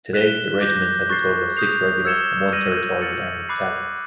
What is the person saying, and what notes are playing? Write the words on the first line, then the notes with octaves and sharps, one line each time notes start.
Today, the regiment has a total of six regular and one Territorial Army battalions.
F#6 B6 E7 G7
D6 G6 A#6
C#6 F#6 A6 C7
D#6 G6 C7 F7
E6 G#6 C#7 E7 G7
F6 A#6 D#7 F#7
F6 A6 C#7 F#7
B5 D6 F#6 A6 C7